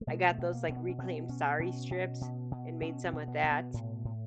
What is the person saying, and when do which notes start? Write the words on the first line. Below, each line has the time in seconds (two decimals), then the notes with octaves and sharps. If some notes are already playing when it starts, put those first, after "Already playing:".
I got those, like, reclaimed sari strips, and made some with that,
0.01 A3
0.07 B2 G#3
0.30 A3
0.38 B2
0.53 A#3
0.69 B2 C4
0.76 B3
0.89 C#4
0.98 B2 C4
1.29 B2 C#4
1.59 B2 C#4
1.91 B2
2.21 B2
2.52 B2
2.82 B2 C#4
3.05 C4
3.13 B2
3.28 B3
3.43 B2
3.51 B3
3.74 A2
4.05 A2